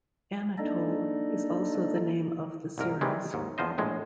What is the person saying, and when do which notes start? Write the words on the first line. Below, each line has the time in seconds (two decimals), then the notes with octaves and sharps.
"Anatole" is also the name of the series.
0.58 A#3 D4 D#4 A4 D5 D#5
2.78 C2 G#2 A#4
3.01 C3 D#3 E3 G3 G#3
3.34 D#2 G#2
3.58 E2 F3 C5 D#5
3.78 A#1 A2 G#3